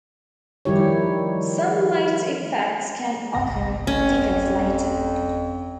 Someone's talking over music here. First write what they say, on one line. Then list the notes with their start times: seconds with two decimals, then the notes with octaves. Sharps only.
Some late effects can occur decades later.
0.65 D#3 F3 G3 E4 G4 C#5
3.35 G1 C2 A#6
3.87 F2 C#4